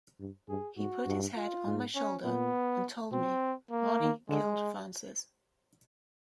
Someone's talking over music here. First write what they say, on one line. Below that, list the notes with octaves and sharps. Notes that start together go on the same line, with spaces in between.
He put his head on my shoulder and told me Ronnie killed Frances.
G2
G2 G#4
G#2 F#4
G2
F4
G#2
C#4
A#2 B3
B2 C4
A#3
D#3
D3 G#3